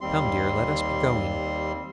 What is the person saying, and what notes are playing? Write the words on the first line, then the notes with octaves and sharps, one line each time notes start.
Come, dear; let us be going.'
D#2 G3 C4 C6